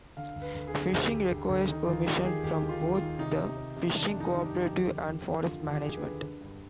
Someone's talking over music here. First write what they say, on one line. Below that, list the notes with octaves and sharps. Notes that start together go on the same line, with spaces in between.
Fishing requires permission from both the Fishing Cooperative and Forest Management.
D3 F5
D2
B4
D2
G#4
D3
D2 G4
D3
D2
D2
D#3 D#4
D#2 F4
D#3 G4
D#3 G#4
D#2 G4
D#3
F4
D#3
F4
D#3
C3 D#4
C3
C3
C3
D#3 D4
F2
D#4
D#3
G4
F2
D#2 G4
D3
D3
D3
D3 F4
D#2
G4
D3 G#4
B4
D3
D3
G2